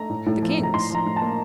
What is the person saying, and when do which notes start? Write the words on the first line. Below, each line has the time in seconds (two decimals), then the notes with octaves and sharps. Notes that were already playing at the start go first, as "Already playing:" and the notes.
The king's.
Already playing: A3 A#5
0.10 A2
0.26 A2
0.42 F3
0.58 A2
0.63 A#5
0.74 A2 C6
0.90 F3 A#5
1.06 A2
1.16 A5
1.22 A#3